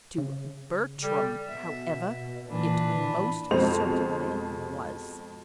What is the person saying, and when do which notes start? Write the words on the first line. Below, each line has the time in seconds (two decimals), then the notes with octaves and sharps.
To Bertram, however, it most certainly was.
0.18 C#3
1.03 G3 A4
1.47 B2 E5
2.49 A#2 E3 D4 B4
3.51 F2 B2 G#3 C5 F7